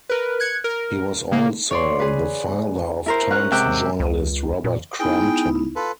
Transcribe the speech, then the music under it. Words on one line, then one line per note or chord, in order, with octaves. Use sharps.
He was also the father of Times journalist Robert Crampton.
A#4 B4
F#6 G#6 C#7
A#4
C#3 A#3
C#5 D5 C6
G#4 B4
E4 A#4 C5
C#4 F#5 F6 F#6
G#2 C3 G5 D6 E6 F#6
C#2
A#2
B3 D#4 E4 G#4 G5
F4 A4 B4